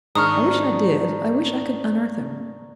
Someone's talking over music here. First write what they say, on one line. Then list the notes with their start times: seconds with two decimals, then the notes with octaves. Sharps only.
I wish I did; I wish I could unearth him.
0.15 G#2 D#3 D4 A#5 C#6 D#6 F6